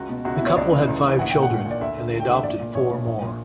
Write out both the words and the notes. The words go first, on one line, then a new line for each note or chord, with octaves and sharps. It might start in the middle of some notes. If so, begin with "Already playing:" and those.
The couple had five children, and adopted four more.
Already playing: C#2 F#4
B2
C#2 F#4
E4
B2
C#5
C#2 D5
C#3 E3
C#2
C#3 E3
A#1 F#5
A#2 G5
F#5
A#1
A#2
D5
D2 E5
D3
D2
G5
D3 F#5
E5
A#1 D5
A#2
A#1 C#5
A#2
A#1
A#2